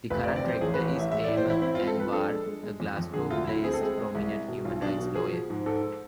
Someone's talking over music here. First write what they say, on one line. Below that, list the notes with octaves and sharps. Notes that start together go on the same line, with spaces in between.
The current Rector is Aamer Anwar, a Glasgow-based, prominent human rights lawyer.
F1 B4
D5
C3
D5
F2 C5
A1 G#4
B4
A1
A1 E5
G#3 E5
D5
A2
C5
A1 E4
C4 E4
F4
C4
A4
F3 B4
D4 A4
G#3
G#3
G#3
F2
F2
D3 G#4
D2 F4
D2 E4
C4 G#4
A4
G#3 G#4
G#3
C2
G#3
B2
B1 F4
B2 D4
B2
F3 G#4
F3
G#2
G#2 A4